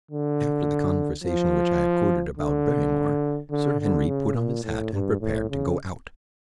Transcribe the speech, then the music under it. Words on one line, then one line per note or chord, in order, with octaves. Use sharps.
After the conversation which I have quoted about Barrymore, Sir Henry put on his hat and prepared to go out.
D3
F3
D3
D3
D3
C#3
A#2
A2
G2
A2
C#3